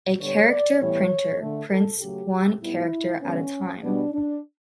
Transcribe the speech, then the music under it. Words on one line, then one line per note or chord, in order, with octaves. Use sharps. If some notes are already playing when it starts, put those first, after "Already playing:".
A character printer prints one character at a time.
D3 G3 B3 C#5
D5
A2 E3 G3 B3 C#5
D3 A3
A4
C#3 F#3 A3 G4
A2 G3 B3 E4
D3 G3 B3 C#4
B2 G3 B3 D4
D4